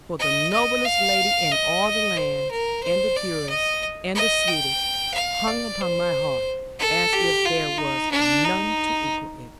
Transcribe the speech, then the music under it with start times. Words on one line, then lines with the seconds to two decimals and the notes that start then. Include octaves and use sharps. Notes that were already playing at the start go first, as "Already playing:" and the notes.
For the noblest lady in all the land, and the purest, and the sweetest--hung upon my heart, as if there was none to equal it.
0.19 D#5
0.53 D#5
0.85 F5
1.51 D#5
2.17 C5
2.50 A#4
2.83 C5
3.16 D5
3.49 D#5
4.15 D#5
4.48 G5
5.14 F5
5.47 D5
5.80 C5
6.79 A4
7.12 G4
7.45 F4
7.78 D#4
8.11 D4
8.45 D#4